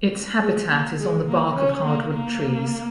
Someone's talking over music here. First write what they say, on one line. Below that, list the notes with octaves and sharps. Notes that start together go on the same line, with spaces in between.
Its habitat is on the bark of hardwood trees.
G#3
A#3
G#3
A#3
C#4
A#3
A#3